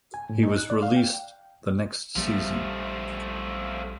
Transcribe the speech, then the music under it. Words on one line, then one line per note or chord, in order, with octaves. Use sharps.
He was released the next season.
G#5
A2
D#4
F#6
D5
F5
G5
A#1 F3 G3 A3